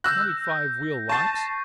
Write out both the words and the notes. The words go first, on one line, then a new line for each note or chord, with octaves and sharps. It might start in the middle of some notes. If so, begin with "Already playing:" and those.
Twenty-five wheel locks!
E6 F#6 G6 A#6
A5 C#6 A6 C7